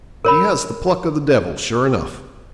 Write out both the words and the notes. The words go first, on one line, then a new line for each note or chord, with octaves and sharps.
But he has the pluck of the devil, sure enough.'
A#4 C#5 B5